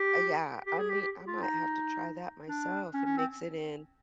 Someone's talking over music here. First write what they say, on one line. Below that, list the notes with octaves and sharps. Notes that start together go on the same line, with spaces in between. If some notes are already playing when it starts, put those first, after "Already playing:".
Uh, yeah. I mean, I might have to try that myself and mix it in
Already playing: G4
G4
G#4
G4
G4
F4
D#4
D4
C#4
C#4
C4